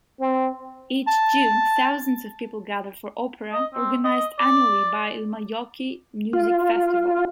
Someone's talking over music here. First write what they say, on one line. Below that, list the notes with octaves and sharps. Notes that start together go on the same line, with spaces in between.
Each June, thousands of people gather for opera, organized annually by Ilmajoki Music Festival.
C4
A5
D#5
C4
D#5
D5
F4